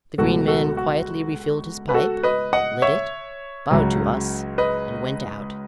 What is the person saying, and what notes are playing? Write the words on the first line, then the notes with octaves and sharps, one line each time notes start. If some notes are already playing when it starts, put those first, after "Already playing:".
The Green Man quietly refilled his pipe, lit it, bowed to us, and went out.
C#2 B2 F#3 A3 F#4 A4
F#4 A4
F#4
B4
F#4 A4
B4 D#5
D#5 F#5
C#5 E5
C#2 C#3 F#3
B4 D#5